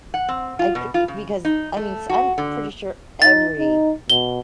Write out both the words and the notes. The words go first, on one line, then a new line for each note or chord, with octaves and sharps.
I c because, t I mean, s I'm pretty sure every
F#5
C4
F4
B2
F4
C#3
D#4
A3
F#4
D3
D#4 A6
D#4
B2 G7